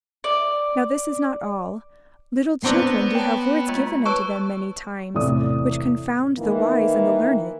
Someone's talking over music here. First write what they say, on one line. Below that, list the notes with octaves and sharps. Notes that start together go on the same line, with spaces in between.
Now this is not all; little children do have words given unto them many times which confound the wise and the learned.
D5
B3 C4 D4 A#5
C#5 G5 A5
G#3 A#3 F4
B4 C#5 A5 C#6
E2 A2 C3 D5 D#6
D#3 E3 A#3